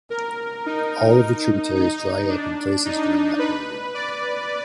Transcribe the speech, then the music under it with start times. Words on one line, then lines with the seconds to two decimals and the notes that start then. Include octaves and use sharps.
All of the tributaries dry up in places during that period.
0.10 A#4
0.66 D#4
1.75 D#4
2.29 D4
2.85 D#4
3.39 B4
3.94 D5